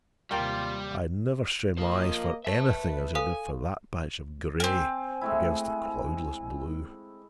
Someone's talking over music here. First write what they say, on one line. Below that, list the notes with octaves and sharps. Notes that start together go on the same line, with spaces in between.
I never strained my eyes for anything as I did for that patch of grey against the cloudless blue!
D#2 C3 G3 A#3 F4 G5
A#3 F4 C5 D#5
B4 E5 G#5 A5
A4 F5 G#5 D#6
A#3 C4 G#5
G#3 A3 E4